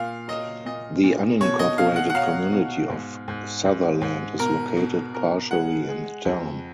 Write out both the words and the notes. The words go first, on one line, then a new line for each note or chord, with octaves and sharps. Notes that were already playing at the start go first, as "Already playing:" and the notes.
The unincorporated community of Sutherland is located partially in the town.
Already playing: A#2 F5
F#3 D#5
A#2 D#5
A#2
B2 C#5
D#5
B2 F5
F#5
F#5
F#3 F5
B2
G#2
G#2
G#2
G#2
B2 A#4
B2
B2 A#4
G#3 F#5
G#3
F2